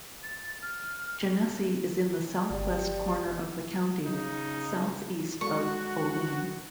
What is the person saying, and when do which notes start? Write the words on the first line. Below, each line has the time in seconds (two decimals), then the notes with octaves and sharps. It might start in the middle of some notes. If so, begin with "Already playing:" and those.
Genesee is in the southwest corner of the county, southeast of Olean.
0.23 A6
0.62 F6
2.50 G1 G4 D5
4.06 C#3 D#4
5.41 G#3 F#4 A4 D5 C#6